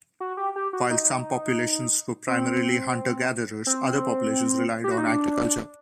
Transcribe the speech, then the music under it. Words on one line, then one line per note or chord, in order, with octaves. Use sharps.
While some populations were primarily Hunter-gatherers, other populations relied on agriculture.
F#4
G4
G4
F#4
D#4
C4
C4
G4
F#4
D#4
D4